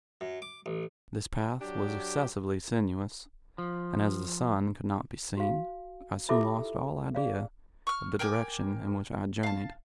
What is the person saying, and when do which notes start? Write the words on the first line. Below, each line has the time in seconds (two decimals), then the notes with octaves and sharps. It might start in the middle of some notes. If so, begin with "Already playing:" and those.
This path was excessively sinuous, and as the sun could not be seen, I soon lost all idea of the direction in which I journeyed.
0.21 F#2
0.42 D6
0.66 A1
1.61 F#3 D4 G4
3.58 F3
5.37 F#4 F5
6.29 E4 F4 G4 A4 E5 D6
7.15 G#4 D5 F5
7.87 C#6 F6
8.19 A#4 G5 G#5 D6
9.43 F5 A5